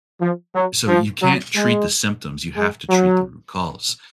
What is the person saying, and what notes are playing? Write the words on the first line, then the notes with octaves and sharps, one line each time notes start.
So you can't treat the symptoms, you have to treat the root cause
F3
F#3
F3
F#3
G#3
G#3
F#3